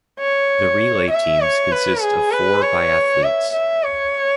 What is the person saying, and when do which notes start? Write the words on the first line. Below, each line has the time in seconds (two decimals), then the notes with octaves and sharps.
The relay teams consist of four biathletes.
0.19 C#5
1.10 E5
1.40 C#5
1.71 B4
2.01 G#4
2.31 B4
2.62 C#5
3.23 E5
3.53 E5
3.83 C#5